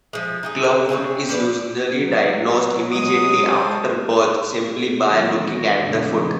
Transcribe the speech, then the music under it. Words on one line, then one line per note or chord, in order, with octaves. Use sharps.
Clubfoot is usually diagnosed immediately after birth simply by looking at the foot.
F3 G#3
D#4 G4 G#4
D3
C4 G#4 A4 C#5
F3 D4 B4 D5
F#3
F#3 G#3 D#6 D#7
A4 C5 A5
E4 F#4 G#4 A4 D5
D#3 E3 F#3 G#3 A3 C4
G#3
A#6
F2 A#2 C#3 A3 C4 D4
F3 D#5 D6 D#6